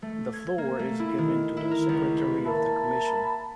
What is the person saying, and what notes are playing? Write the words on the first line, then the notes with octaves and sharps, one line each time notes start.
The floor is given to the Secretary of the Commission.
A3
G#6
A#3
A3
E4
D#3
E4
A#4
C#2
B4
A#3 E5 A5 B5